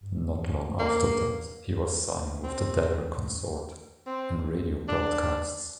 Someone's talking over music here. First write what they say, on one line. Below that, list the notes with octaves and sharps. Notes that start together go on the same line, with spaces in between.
Not long after that he was singing with the Deller Consort in radio broadcasts.
A#3
C4
C4
D4